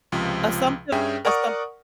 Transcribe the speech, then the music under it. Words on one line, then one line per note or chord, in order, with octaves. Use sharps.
Assumptive assump
C#2 C3 F3
G2 C#4 G#4 E5 G5
A#4 D5 F#5 C#6 D#6